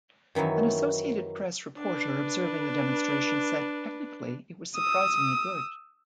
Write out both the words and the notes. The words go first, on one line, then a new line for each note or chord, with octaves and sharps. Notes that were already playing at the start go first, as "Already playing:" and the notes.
An Associated Press reporter observing the demonstration said, Technically, it was surprisingly good.
F#2 D#3 E3 F#3 E4
D4 B4
D#6 E6